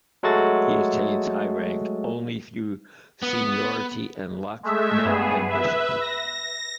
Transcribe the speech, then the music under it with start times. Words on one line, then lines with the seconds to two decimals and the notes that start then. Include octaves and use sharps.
He attains high rank only through seniority and luck, not ambition.
0.23 F#3 G#3 A3 F#4 A4 A6
3.23 B3
4.63 G#3 A3 E5
5.05 G2 B3 G#4
5.47 B4 E5
6.01 A#6